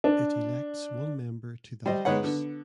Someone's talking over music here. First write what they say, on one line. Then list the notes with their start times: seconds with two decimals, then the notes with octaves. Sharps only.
It elects one member to that house.
0.04 D4
1.86 G3 C5 D#5
2.05 G#3 B3 D#4 B4 C#5 F#5
2.23 D3 B3